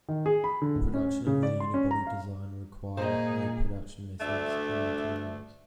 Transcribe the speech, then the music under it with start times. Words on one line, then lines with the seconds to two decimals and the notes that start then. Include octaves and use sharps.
Production of the unibody design required new production methods and materials.
0.09 D#3
0.26 G#4
0.44 B5
0.62 D3
0.75 D1
0.94 C#4
1.27 C#3
1.43 D5
1.60 C6
1.74 C#4
1.91 A#5
2.07 F5
2.97 A#2 A#3 D#4 G#4 C5 D#5
4.21 D2 A3 D4 E5